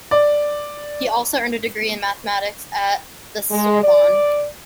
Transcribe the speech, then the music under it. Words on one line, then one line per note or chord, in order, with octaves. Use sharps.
He also earned a degree in mathematics at the Sorbonne.
D5
G#3
D5